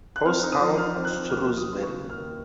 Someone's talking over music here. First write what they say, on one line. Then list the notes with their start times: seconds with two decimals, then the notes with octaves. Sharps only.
Post town, Shrewsbury.
0.16 F#6
0.25 C4 F6
0.43 D#4
0.52 D#6
0.61 F3
0.78 D#4 F6
0.96 C4
1.05 F#6
1.13 F3
1.30 D#2 F6
1.48 F#3
1.57 D#6
1.66 F#3
1.83 C#3 C#6
2.00 D#2
2.10 F6
2.18 D#2